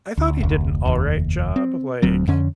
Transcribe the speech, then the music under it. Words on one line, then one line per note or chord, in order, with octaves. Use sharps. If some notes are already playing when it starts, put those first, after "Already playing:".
I thought he did an all right job. Like,
D2
F1 D2
F1 D#2
C4
D1 D2 F#3 C4
F2 D3 C#4